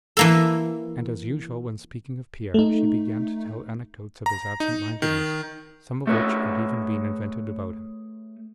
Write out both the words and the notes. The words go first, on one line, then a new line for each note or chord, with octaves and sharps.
And as usual when speaking of Pierre, she began to tell anecdotes of his absent-mindedness, some of which had even been invented about him.
E3 A#3 A4
A3 D#4
A#5
D#4
D#3
A3 G#4 B4 C#5